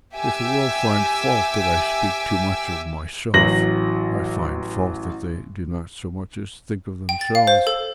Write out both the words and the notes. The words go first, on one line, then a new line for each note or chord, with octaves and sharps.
If the world find fault that I speak too much of myself, I find fault that they do not so much as think of themselves.
G4 E5 G#5 D6 E6
A1 F#3 A#6 F#7
G5
A6
F5
C5
A4